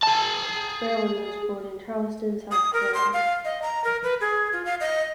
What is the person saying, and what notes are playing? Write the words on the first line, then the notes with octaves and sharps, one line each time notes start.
Brown was born in Charleston, South Carolina.
G#4 A5
D#6
A#4
C6
F5
D#5
A#5
A#4
B4
G#4
F4
F5
D#5